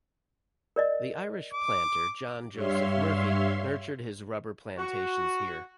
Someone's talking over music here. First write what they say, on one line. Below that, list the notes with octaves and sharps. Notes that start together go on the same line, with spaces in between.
The Irish planter, John Joseph Murphy nurtured his rubber plantations here.
A#4 D5 D#5
D6
G2 G3 C#5 E5 F5 C6
F#4